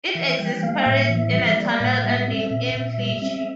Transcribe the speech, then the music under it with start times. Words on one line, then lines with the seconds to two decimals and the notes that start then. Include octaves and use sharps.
It exits Paris in a tunnel ending in Clichy.
0.15 E3 E5
0.39 G3 G5
0.63 A#3 F5
0.86 A2 E5
1.09 E3
1.33 G3
1.46 E5
1.57 A#3 D5
1.80 A2 F5
1.99 D5
2.04 G3 E5
2.27 C4 E5
2.51 A#2
2.75 A#2
2.98 G3
3.22 C4